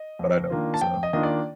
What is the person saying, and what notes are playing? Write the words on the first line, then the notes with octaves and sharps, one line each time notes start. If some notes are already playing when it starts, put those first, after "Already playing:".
but I don't think so.
Already playing: D#5
F2
D#3 A#3 D4 F4
A5
F2 G5
D#5
D#3 A#3 D4 F4 D#5
D5